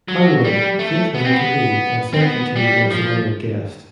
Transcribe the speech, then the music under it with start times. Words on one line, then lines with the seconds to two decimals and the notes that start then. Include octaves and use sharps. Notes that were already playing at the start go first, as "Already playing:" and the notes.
Finally, fate has intervened and sent you to me as an honoured guest.
0.08 F#3
0.44 G3
0.79 A3
1.15 B3
1.24 C4
1.34 B3
2.14 C4
2.21 B3
2.56 G3
2.91 F3